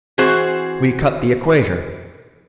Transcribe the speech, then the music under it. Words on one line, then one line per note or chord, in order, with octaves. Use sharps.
We cut the Equator.
E3 C4 F#4 G#4 C5